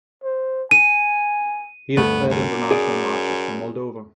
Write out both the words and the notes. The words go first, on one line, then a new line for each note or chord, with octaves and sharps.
He has played international matches for Moldova.
C5
G#5 D#7
D2 G2 A3 B3
F#2
G#4 D5